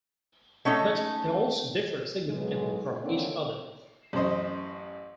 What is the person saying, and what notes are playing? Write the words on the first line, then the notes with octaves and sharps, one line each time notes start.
But they also differed significantly from each other.
A3 C#4 D#4 A4
B1 G#3
D3 A#3 C4 C#4 D#4
A1 F#2 C5 D#5